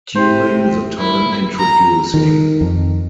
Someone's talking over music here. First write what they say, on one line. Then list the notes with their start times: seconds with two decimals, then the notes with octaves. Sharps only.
During the time Introducing...
0.15 C3 C5
0.98 E4
1.58 A#5
2.14 D#3
2.61 F2